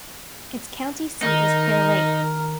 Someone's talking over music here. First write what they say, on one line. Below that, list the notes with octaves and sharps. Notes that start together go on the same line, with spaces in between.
Its county seat is Clear Lake.
D#3 D#4 A#4